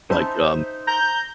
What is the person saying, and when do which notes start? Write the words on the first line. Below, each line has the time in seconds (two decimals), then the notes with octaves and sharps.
Like, um
0.10 C#4 D#4 C5 E5 A5 B5
0.87 A#5 G6